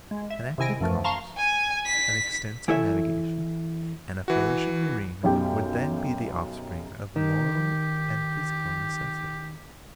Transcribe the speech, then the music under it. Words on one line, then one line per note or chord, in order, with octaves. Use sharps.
An active commerce, an extensive navigation, and a flourishing marine would then be the offspring of moral and physical necessity.
G#3
E5
C3 D#3 E4 G#5 A#6 D7
F#2 E3 F3 A3
F5 A5 A#5 C6 C#6
G#5
B6
E3 E4 A4 C#5 E5
E3 F#4
B1 F#2 G4 G5
D#3 G4